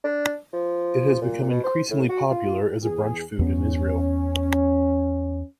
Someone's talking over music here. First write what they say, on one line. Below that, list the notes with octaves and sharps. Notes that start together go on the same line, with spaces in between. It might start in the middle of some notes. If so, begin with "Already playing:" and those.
It has become increasingly popular as a brunch food in Israel.
D4
F3
A#2
B2
C5
A2
F#4
F4
E2 G#4
E2 B3 C#4